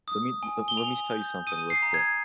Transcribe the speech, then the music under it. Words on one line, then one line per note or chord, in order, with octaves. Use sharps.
Let me le let me s tell you something real quick,
D#6
G#5
G7
G#5 F7
G6
D#6 D#7
C7
A#5
G#6